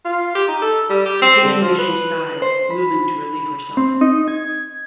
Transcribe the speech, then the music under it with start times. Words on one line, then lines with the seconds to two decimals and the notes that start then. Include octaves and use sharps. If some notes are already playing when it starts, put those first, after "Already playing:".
Occasionally she sighed, moving to relieve herself.
0.05 F4
0.35 G4
0.48 D#4
0.62 A4
0.90 G3
1.05 G4
1.22 C4
1.43 D3
1.61 F3
1.78 B4
2.42 C5
2.70 B5
3.77 C4
4.01 D#4
4.28 G#6